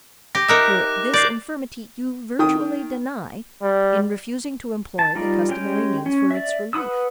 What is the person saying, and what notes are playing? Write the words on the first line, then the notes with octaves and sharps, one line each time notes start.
For, this infirmity you virtually deny, in refusing to employ the customary means for its relief.
G4 A#6
D#4 A#4 E5 D6 F#6 A#6
D5 G6 C7
D#3 G5 D#6
G3
A5
G3 D#4 F4 A#4 D5
G#3 C#4 G4 G5 G6
C#4
D5 E5
B4 F#5 B5 D#6 E6